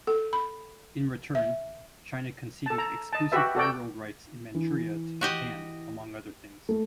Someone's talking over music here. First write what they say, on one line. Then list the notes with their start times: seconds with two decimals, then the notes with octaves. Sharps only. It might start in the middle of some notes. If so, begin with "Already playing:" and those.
In return, China conceded exclusive railroad rights in Manchuria to Japan, among other things.
0.07 A4
0.33 B5
1.35 E5
2.66 A4 A5
2.78 A#5
3.13 D#5 A5
3.32 F#4 G4 B4 E5
3.55 F#4 A4 D5 G5
4.55 E3
5.21 F#4 G4 D#5
6.69 A3